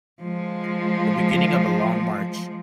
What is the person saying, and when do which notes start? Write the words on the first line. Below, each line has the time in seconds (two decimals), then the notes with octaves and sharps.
The beginning of a long march.
0.22 F3 G#3